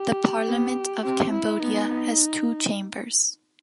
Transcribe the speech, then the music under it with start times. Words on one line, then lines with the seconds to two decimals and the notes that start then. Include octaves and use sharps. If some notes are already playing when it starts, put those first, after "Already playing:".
The Parliament of Cambodia has two chambers.
Already playing: G4
0.48 B3
1.03 C4 G4
1.32 E4
1.60 B3 D#4